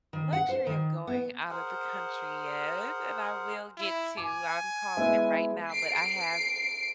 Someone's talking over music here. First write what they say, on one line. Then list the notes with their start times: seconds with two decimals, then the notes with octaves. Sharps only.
luxury of going outta the country yet- and I will get to, I'm calling it right now- but I have
0.13 D#3
0.33 F#5
0.49 C5
0.67 D#3
1.07 B3
1.50 G#4 A#4 C5 F#5
3.77 E4
4.17 G#5 D6
4.97 G#3 B3 E4
5.70 C7 D7